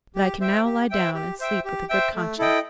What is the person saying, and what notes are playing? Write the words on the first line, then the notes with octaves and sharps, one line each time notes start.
"But I can now lie down and sleep with a good conscience."
G4
C5 E5 G5
G4
C5 E5 G5
G4
C5 E5 G5
G4
C5 E5 G5
A3
E4 A4 D#5 G5